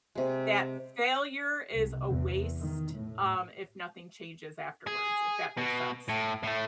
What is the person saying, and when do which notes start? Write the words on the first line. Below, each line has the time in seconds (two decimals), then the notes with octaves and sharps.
that failure is a waste, um, if nothing changes afterwards, if that makes sense,
0.15 C3 G#3
1.74 C2
2.08 E2
2.61 D#3
2.94 A2
4.87 G#4
5.58 B2
6.09 A2
6.43 A2 A3